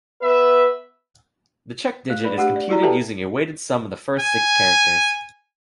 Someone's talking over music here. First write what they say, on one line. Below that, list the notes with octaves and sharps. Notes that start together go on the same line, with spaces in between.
The check digit is computed using a weighted sum of the first six characters.
B3 B4 E5
A3
B4 D5 B5
A3 D4 G4 G#4 F#5
D5
E4 F#4 D5 A#5
G4 A4 B4 E5 G5 A5
G#5